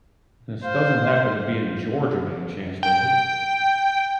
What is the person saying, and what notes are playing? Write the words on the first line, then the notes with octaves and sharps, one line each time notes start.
This doesn't happen to be in Georgia by any chance, does it?
C5 F5
G5